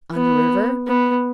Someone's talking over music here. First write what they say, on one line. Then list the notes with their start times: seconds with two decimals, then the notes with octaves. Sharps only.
"On the river?"
0.14 B3
0.87 B3